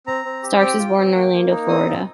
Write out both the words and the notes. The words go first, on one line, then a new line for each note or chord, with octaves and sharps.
Starks was born in Orlando, Florida.
C4 A#5
C4
G4
C4 G5
F4
C4
A#3
A#3
D#4
C4 D#6
F4